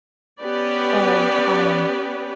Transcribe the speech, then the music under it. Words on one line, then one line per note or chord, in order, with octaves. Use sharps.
of, um
B3 C#4 G4 B4 D5